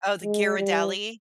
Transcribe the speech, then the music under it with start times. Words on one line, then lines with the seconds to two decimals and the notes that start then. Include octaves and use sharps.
Oh, the Ghirardelli?
0.23 G#3
0.58 G3